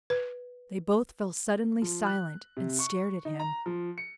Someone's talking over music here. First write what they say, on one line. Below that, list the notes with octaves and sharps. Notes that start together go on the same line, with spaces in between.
They both fell suddenly silent and stared at him.
B4
F3
F#6
C3
C#6
D#4
A#5
F3
C#7